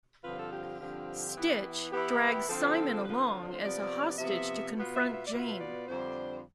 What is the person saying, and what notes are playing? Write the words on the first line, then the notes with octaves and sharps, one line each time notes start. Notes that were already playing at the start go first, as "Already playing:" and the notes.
Stitch drags Simon along as a hostage to confront Jayne.
G2 D3 F3 C4 F4 B4
A4
G4
G4
G2 D3 F3 C4 F4
E3 B3 E4
E3 B3 E4 G4
D3 F3 C4 F4 A4
D3 F3 C4 F4 B4
C5
D5
C5
C3 F3 B3 D5
C3 F3 B3 E5
B2 B3 F4
E5
E5
D5
B2 B3 F4 E5
D5
F2 D3 G3 D4 C5